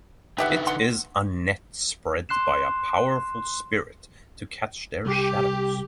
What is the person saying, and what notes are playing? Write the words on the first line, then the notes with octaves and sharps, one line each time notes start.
It is a net spread by a powerful spirit to catch their shadows.
D3 D#4 G4 B4 E5 F#5
F#5 C6
C6 F#6 C7 E7
C2 G4